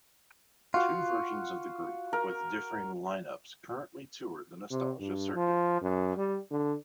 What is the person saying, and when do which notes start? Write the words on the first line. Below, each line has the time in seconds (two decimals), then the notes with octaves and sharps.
Two versions of the group, with differing line-ups, currently tour the nostalgia circuit.
0.74 F4 F#4 F5
2.13 A#4
4.70 C3
5.00 G2
5.35 F3
5.82 F#2
6.17 G3
6.51 D3